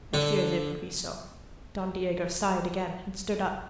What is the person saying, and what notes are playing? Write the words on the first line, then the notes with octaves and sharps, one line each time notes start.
"I feared it would be so." Don Diego sighed again, and stood up.
D3